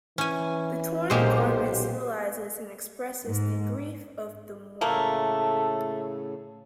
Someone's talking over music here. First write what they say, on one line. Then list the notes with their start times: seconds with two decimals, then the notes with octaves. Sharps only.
The torn garment symbolizes and expresses the grief of the mourner.
0.18 E3 C#4 G#5
1.10 B1 A#2 F#3 G#3 A#3 G4 C5
3.23 G#2
4.81 A2 C#3 A3 A#3 A4